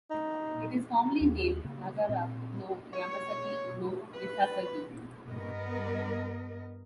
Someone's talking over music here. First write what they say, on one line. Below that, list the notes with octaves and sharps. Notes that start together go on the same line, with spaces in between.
It is formally named "Nagara no Yamasaki no misasagi".
D#4
D#2
C#3 A#3
A#2 C4
C#5
B4
G2 B3 A#4 D#5